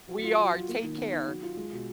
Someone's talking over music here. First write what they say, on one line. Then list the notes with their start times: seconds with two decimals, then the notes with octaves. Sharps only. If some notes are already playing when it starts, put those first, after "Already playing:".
We are, take care.
0.09 F#3
0.24 F4
0.38 F#3
0.53 F4
0.69 A#3
0.83 D#3
0.98 B3
1.13 D#4
1.27 F#3
1.42 F4
1.57 G#3
1.72 B2